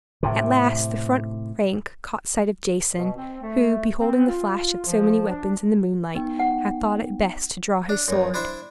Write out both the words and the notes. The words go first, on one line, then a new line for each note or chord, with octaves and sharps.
At last, the front rank caught sight of Jason, who, beholding the flash of so many weapons in the moonlight, had thought it best to draw his sword.
A2 C3
B2
C4
A3
C4
F4
F3
D4
B3 D#4 G5
F#5
D4
B1 F#2
D4 E4 C5 E5